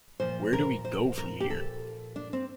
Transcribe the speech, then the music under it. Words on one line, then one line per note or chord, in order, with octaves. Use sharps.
Where Do We Go from Here?
A#2 F3 C5
A#4
C5
A#4
G4
A4
D4
C4